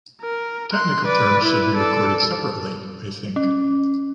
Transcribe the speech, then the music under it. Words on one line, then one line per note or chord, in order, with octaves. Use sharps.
Technical terms should be recorded separately, I think.
A#4
C6 F#6
B4 D5
E4 B4
A4 D5
C#4